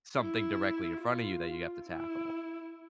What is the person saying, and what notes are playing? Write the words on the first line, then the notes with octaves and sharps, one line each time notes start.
something directly in front of you that you have to tackle.
E4
F4
E4